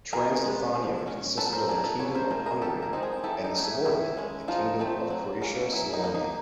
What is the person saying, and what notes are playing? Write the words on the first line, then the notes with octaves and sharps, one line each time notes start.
Transleithania consisted of the Kingdom of Hungary and its subordinate, the Kingdom of Croatia-Slavonia.
E3 G#4 A#4
G#3 B3
F3
G#3 C#4
F#3 A4 B4
A#4 C5
A3 D4 G#4 A#4
A4 B4
F3 B4 C#5
A#4 C5
A3 C#4 A#4 C5
G#4 A#4
E3 G4 A4
G#4 A#4
G#3 C4 D#4
G#4 A#4
E3 G4 A4
D#4
A3 C#4
E4
D#3 E4
G#3 C#4
F3 D#4 F4
A3 C4
F#3
A#3 C#4
F#3 E4
D#4
A#3 D#4
D#4